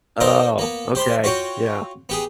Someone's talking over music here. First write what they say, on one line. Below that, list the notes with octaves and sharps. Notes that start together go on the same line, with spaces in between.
Oh, okay, yeah.
D#4 A#4 C5 D5
A#3 B3
G4 C5 B5 C6
F4 F#4 C#5 G5
B3 G4 G#4